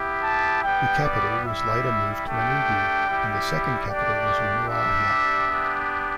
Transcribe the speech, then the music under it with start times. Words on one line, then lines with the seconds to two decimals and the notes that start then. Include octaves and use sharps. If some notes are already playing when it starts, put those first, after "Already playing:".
The capital was later moved to Enugu and the second capital was Umuahia.
Already playing: B3 E4 G4
0.23 A5
0.64 G3 B3 G4 G5
1.04 D5
1.45 G3 E4 G4 E5
2.26 A3 D4 G4 G5
3.07 G3 E4 G4
3.87 A3 D4 G4 D5
4.68 G3 D4 G4 E5
5.48 B3 D4 G4